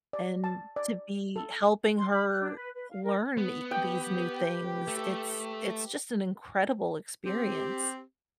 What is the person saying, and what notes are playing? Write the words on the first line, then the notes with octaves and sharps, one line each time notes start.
and to be helping her learn e these new things, it's it's just an incredible experience.
D5
A5
D5
A4
C6
B5
F#6
D4
B4
B4
F5
A#4
B3
G4 B4 G5
A3
C4 G4